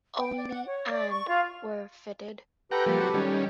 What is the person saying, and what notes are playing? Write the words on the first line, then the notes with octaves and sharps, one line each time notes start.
Only and were fitted.
G5
D5
F#5
C#5
D5
C#6
F4
G4 A4 B4 F#5 G5 A#5
F3 G3 A#3
F#3 C4 F#4
D#3 G3 C#4